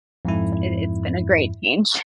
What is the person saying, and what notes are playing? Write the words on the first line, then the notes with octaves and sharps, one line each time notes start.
it it's been a great change.
F2 G#2 E4